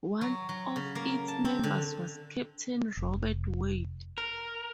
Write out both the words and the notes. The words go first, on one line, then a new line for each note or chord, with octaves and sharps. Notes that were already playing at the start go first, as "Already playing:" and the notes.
One of its members was Captain Robert Wade.
F#3
F#3
C#3
A#3
A5
C4
D3
F1
A#4